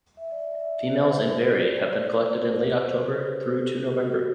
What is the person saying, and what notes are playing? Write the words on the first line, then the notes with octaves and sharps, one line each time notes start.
Females in berry have been collected in late October through to November.
E5
D5
E5
C5
B4
A4
C5
D5
D5
D5
D5
C5
B4
A4
G4
A4
G4
A4
G4
F#4